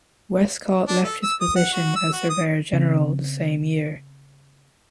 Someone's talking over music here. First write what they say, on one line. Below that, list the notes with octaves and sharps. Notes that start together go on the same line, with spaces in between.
Westcott left his position as surveyor general the same year.
D4
A4
E6
D#6
F#5
F#4
E6
F#4
D#6
C#3 C4